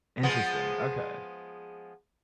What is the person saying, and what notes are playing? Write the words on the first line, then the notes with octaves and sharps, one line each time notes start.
Interesting, okay.
F3 G#3 B3